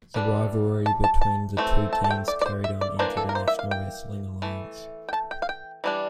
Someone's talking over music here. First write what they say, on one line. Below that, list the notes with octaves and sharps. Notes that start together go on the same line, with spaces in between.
The rivalry between the two teams carried on into the National Wrestling Alliance.
E3 G3 D4
A5
A5
A5
E3 A3 C4
A5
A5
G5
D5
D5
C5
E5
D5
E3 A#3 D4 C5
A4
A#4
C5
E5
F5
G5
E3 A3
G5
A5
G5
F5
G5
E3 G3 D4